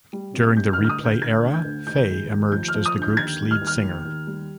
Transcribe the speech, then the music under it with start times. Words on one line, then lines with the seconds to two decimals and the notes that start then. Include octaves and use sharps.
During the Replay era, Faye emerged as the group's lead singer.
0.13 G3
0.34 C3
0.56 G3 G6
0.73 F6
0.78 D2
0.85 F6
0.89 D#6
1.00 D2 G6
1.22 D2 G#6
1.44 D3
1.54 G6
1.65 D2
1.87 D#2 G6
2.09 G#3
2.31 D#2
2.52 F3 G6
2.68 F6
2.75 F3
2.86 D#6
2.95 D3
3.02 G6
3.17 D#2 G#6
3.40 G3
3.51 F6
3.61 D#2
3.67 F6
3.82 D#2
4.05 D#2
4.27 G3